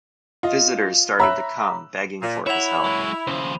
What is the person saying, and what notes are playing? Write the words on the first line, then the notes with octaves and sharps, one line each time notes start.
Visitors started to come, begging for his help.
F4 D#5
C#5 E5 A#5 B5 E6 F#6
A#2
E4 C#5 E5 F#5 B5 F7
F#3 G#3
D#2 C#3 F3 C5